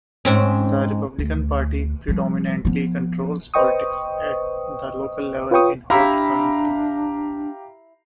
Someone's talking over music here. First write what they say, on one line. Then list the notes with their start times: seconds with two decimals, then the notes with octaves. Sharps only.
The Republican Party predominantly controls politics at the local level in Holt County.
0.25 G#2 C4 C#4
1.19 D2
2.08 F3 G3
2.65 F3 B3
3.54 B4 C5 D#5 G5 C#6 D#6
5.51 F4 B4 C#5 G5 C#6 D#6
5.90 D4 E4 G4 F5 A#5